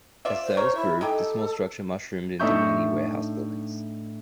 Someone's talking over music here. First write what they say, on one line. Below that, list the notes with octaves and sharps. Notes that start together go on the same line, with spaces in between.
As sales grew, the small structure mushroomed into many warehouse buildings.
F4 D5 E5
C5
A#4 C#5
E4 E5
G#3 D#4 G4 A4
A2 D4 D#4 E5 C#6 G6